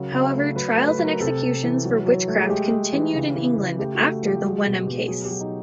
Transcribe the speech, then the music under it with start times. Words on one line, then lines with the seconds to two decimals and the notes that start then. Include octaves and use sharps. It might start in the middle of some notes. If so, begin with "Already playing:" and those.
However, trials and executions for witchcraft continued in England after the Wenham case.
Already playing: C#3 F#3 A#4
0.12 C#3
0.34 A3
0.56 F#3 B4
0.77 A3
0.88 B4
0.99 F#3
1.04 A#4
1.20 C3 A4
1.42 C3
1.64 E3
1.85 F#3
2.06 F#3
2.28 A3
2.38 G#4
2.49 G#3 G4
2.71 G#3
2.93 E3
3.14 C#3
3.35 E3
3.57 C#3
3.79 A3 G4
3.95 F#4
4.01 A3
4.22 F3 G4
4.43 G#3 F#4
4.65 B2 G4
4.87 B2 G4
5.08 F#3 G#4
5.24 G4
5.30 F#3
5.40 D#4